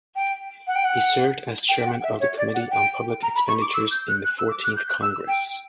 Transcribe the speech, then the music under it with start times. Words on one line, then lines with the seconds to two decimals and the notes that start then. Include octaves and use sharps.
He served as Chairman of the Committee on Public Expenditures in the Fourteenth Congress.
0.16 G5
0.67 F#5
0.76 G5
0.85 F#5
1.69 G5
1.86 F#5
2.03 E5
2.20 C#5
2.38 D5
2.54 F#5
2.71 G5
3.23 A#5
3.35 B5
3.48 C#6
3.61 D6
3.74 E6
3.91 G6
4.08 F#6
4.25 F#6
4.39 E6
4.51 D6
4.64 F#6
4.77 G6
4.89 F#6
5.02 E6
5.28 G5